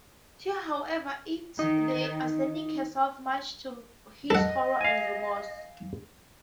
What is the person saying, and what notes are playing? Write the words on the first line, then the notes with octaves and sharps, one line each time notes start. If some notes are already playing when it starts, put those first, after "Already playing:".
She however eats the arsenic herself, much to his horror and remorse.
D#3 D#4
A4 D#5 F#5
F5 G#5